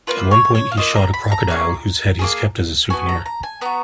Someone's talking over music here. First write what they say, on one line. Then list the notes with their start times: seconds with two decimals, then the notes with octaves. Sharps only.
At one point, he shot a crocodile, whose head he kept as a souvenir.
0.07 A#3 C#4 F4 B4
0.31 C#5
0.55 C#5
0.72 F5
0.77 A#3 C#4 F4 D#5
0.96 A#5
1.14 B5
1.32 A#5
1.48 A#3 C#4 G#4
2.19 A#3 C#4 G#4
2.90 B3 F#4 G#5
3.09 A#5
3.26 A#5
3.43 G#5
3.61 B3 F#4 A#5